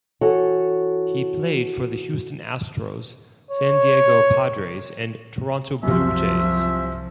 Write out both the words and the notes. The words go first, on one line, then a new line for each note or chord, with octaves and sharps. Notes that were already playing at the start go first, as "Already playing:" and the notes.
He played for the Houston Astros, San Diego Padres, and Toronto Blue Jays.
E3 F#4 A4 C#5
C#5
C2 F#2 C3 F3 E5